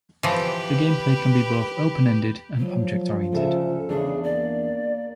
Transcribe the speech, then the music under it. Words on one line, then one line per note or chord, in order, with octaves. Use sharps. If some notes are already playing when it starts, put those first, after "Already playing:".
The gameplay can be both open-ended or object-oriented.
E3 F3 G4 B4
F3 F#3
D2 C#3 A4 E5
E2 C#3 D4 G#4
A#3 D5